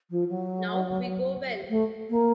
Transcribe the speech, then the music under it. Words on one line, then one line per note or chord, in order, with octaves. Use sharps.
Now we go well!
F3
F#3
A3
A#3